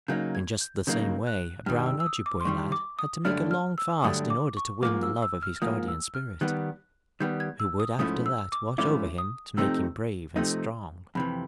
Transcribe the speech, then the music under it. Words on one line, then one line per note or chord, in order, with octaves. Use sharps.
In just the same way a brown Ojibway lad had to make a long fast in order to win the love of his Guardian Spirit, who would after that watch over him to make him brave and strong.
C#3 F#3 A#3 D#4 G6
G#6
G6
C#3 F#3 A#3 D#4 G6
F#6
G2 D#3 G3 F6
E6
E6
D#6
D6
C6
G2 D#3 G3 C#6
D6
D#6
G2 D3 F#3 A3 D4 F6
F6
E6
G2 D3 F#3 A3 D4 D#6
D6
C#6
G#2 F3 A#3 D6
E6
E6
F6
G#2 F3 A#3 D#6
E6
F6
D#3 G3 B3 F#6
D#3 G3 B3 G6
G#6
E6
D#6
G#2 F3 A3 C#4 E4 D#6
E6
D6
G#2 F3 A3 C#4 E4 D6
D#6
C3 F3 A3 C4 D#4 E6
C3 F3 A3 C4 D#4
F2 C3 E3 B5